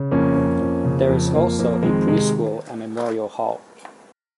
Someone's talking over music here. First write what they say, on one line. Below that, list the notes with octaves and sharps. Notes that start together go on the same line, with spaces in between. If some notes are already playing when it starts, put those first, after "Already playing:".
There is also a Pre-school at Memorial Hall.
Already playing: C#3
F2 A#3 C#4
F2
F2
C#3
F2
F2 A#3
F2 A#3
D#3 G#3 C4
C3 G#3